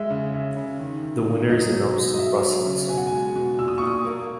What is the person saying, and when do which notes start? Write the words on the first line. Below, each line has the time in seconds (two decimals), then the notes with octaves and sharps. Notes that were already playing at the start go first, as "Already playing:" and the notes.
The winner is announced in Brussels.
Already playing: G#3 E5
0.10 C#3
0.34 C#3
0.57 C#3
0.79 D#3
1.03 D#3
1.26 D#3
1.49 F#3 D#5
1.73 B2
1.97 B2
2.14 D#5
2.19 F#3 E5
2.43 F#3
2.66 C#3
2.88 B2 G#5
2.97 F#5
3.07 G#3 G#5
3.36 B2
3.59 A#2 E6
3.68 D#6
3.78 A#2 C#6
3.87 D#6
4.05 A#3